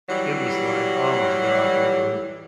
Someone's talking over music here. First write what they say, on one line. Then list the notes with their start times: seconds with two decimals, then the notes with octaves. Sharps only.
it was like oh my god, they were
0.09 E3 F#3 G3